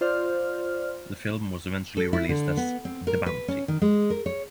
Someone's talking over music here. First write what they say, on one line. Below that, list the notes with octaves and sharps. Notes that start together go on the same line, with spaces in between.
The film was eventually released as "The Bounty".
F4 C5 D5 F6
A4
E4
D3
B3
C4
A#4
B4
C#4
D#3
G#3
A#4
C#5